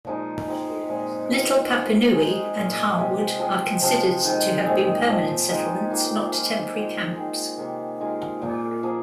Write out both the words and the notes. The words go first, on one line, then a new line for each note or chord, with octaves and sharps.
Little Papanui and Harwood are considered to have been permanent settlements, not temporary camps.
A#2 F3 G#3 D#4
G#3 C4 D#4
A#2 F3 G#3 C4
D#3 G#3 F4
F3 G#3 F4 G#4
G#3 D#4 G#4
A#2 G#3 F4 G#4
C3 G#3 C4
F3 C4 G#4
C3 F3 C4
D#3 G#3 C4
A#2 G#3 C4 G#4
A#2 F3 C4
F3 G#3 D#4 G#4
D#3 A#3 F4 G#4
F3 G#3 F4
D#3 G#3 F4 G#4
D#3 C4 G#4
C3 D#3 A#3 G#4
D#3 G#3 F4 G#4
A#2 A#3 D#4
F3 A#3 G#4